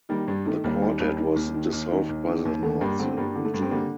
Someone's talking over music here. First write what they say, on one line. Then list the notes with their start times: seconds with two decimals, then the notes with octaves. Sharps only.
The quartet was dissolved by the Nazi regime.
0.09 D#3 G3 A#3
0.28 G2 G3
0.45 D#3 A3
0.64 D#2 G3 A#3
0.82 D#3 G3
1.00 D#2 G3
1.18 D#3
1.36 D#2
1.54 D#3
1.72 D#2
1.91 D#3
2.09 D#2
2.27 D#3
2.45 D#2
2.63 D3 A3
2.81 G2 G3 A#3
2.99 D3 A3 C4
3.17 G2 G3 A#3
3.36 D3
3.45 A3
3.54 G2
3.62 C4
3.71 D3 G3 A#3